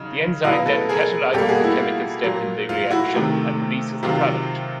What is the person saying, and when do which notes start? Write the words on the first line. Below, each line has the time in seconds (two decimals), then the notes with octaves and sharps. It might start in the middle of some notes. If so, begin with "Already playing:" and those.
The enzyme then catalyzes the chemical step in the reaction and releases the product.
Already playing: C#3 F#3 D#4
0.44 B2 F#3 B3 E4 D#5 F5
0.66 A4 B4
0.89 G#4 A#4
1.33 B2 G3 A#3 G4 A4
1.49 F#4 G#4
1.64 E4
1.79 F4
2.24 A#2 F#3 A#3
2.69 F4
2.90 E4 F#4
3.14 C3 D#3 F#3 A3
4.03 C3 D#3 F#3 F4